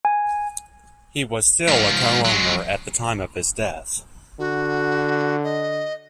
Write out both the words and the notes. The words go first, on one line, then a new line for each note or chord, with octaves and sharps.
He was still a co-owner at the time of his death.
G#5
G#2 F3
F#3 G#3
D3 F#4
D#5